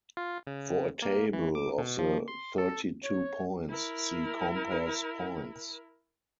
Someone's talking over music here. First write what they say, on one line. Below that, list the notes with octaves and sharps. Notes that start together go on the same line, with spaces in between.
For a table of the thirty-two points, see compass points.
F4
C#3
A#3
E3
D6
B2
F3
C6
A4
C#5
E4 A#4